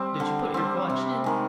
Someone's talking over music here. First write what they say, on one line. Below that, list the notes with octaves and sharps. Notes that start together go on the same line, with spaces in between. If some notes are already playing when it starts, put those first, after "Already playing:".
"Did you put your collection in?"
Already playing: G3 C4
D3
G3 C4
C3
D#3 G#3